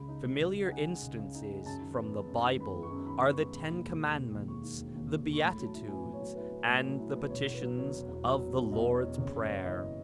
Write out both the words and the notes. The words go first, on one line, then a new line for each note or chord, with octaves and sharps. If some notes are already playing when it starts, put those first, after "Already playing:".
Familiar instances from the Bible are the Ten Commandments, the Beatitudes, and the petitions of the Lord's Prayer.
Already playing: C#2 C#3 B5
D#4
G#3
C#2
C#3
F#5
D#4 G#5
G#3
C#2
C#3
D#4
G#3
F#2 A5
D#3
B3
G#3
F#2
D#3
B3 B5
G#3
C#6
F#2
D#3 B5
B3
C#6
G#3
E1 B5
D#2
G#3
D#3
E1
D#2
G#3 C#6
D#3
E1
D#2
G#3
D#3
C#6
A2 B5
F#3
A5
E4
B3 G#5
A2
C#5
F#3
E4 B4
B3
A2
F#3
E4
B3
E1 C#5
E2
B4
F#3
B2 C#5
E1
E2
F#3
B2
E1
E2 D#5
F#3
C#5
B2
F#1 C#5
F#2
C#5
B3
E5
E3 D#5